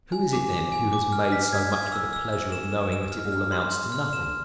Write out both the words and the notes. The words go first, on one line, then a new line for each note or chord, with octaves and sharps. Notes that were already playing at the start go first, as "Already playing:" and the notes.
Who is it then who has made so much for the pleasure of knowing that it all amounts to nothing!
G#5
D6
D6
G#5
D6
F6
B6
G#6
G#6
E6
E6
E6
E7
E7
E7
F6
F6
C6
C6
F6
E7